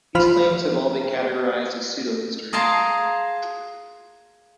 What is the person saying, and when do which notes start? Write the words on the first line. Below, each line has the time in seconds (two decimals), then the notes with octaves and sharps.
These claims have all been categorized as pseudohistory.
0.15 F3 F4 B5 F6
2.53 G#4 A#4 F5 A5 C6